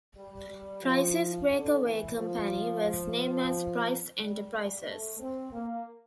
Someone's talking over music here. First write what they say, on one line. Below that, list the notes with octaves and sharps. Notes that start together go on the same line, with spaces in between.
Price's breakaway company was named as Price Enterprises.
G3
G3
F3
D3
E3
F3
G3
A3
C4
A#3